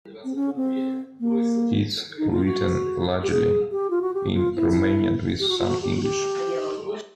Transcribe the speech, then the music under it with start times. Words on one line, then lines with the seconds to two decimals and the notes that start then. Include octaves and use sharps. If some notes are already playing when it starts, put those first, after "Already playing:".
It is written largely in Romanian with some English.
0.24 C4
0.36 C#4
0.56 C4
1.20 A#3
2.18 D#4
2.32 F4
2.45 F#4
3.23 G4
3.31 G#4
3.71 G4
3.90 F4
4.02 F#4
4.14 G4
4.34 F4
4.56 E4
5.40 G4
5.49 F#4
5.59 F4
5.68 F#4
5.82 G4
5.97 F#4
6.03 G4